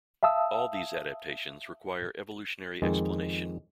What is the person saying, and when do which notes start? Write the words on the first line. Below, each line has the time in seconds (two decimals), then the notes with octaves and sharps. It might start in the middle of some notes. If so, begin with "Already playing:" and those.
All these adaptations require evolutionary explanation.
0.23 E5 F5 A5 D#6 E6
2.82 F2 D#3 G#3